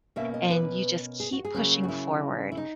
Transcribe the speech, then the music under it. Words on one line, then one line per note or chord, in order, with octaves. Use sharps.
and you just keep pushing forward,
B2 A#3 C#4 E5
D#5
B4
G#4
F#4
G#4
C#3 F#3 A#3 C#4
F#4
E4
E4
D#4